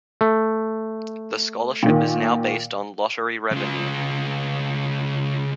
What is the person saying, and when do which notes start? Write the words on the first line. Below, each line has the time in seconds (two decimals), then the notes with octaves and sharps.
The scholarship is now based on lottery revenue.
0.21 A3
1.83 A#2 D#3
3.52 C#3 F4